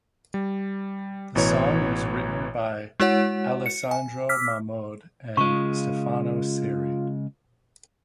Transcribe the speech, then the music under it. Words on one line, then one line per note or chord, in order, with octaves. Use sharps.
The song was written by Alessandro Mahmoud and Stefano Ceri.
G3
A1 B2 E3 C#5 A#5
G#3 E4 F#4 C#5 F#5
C#7
G#5
D6 E6 F6 B6
C#3 G#3 F4 C#6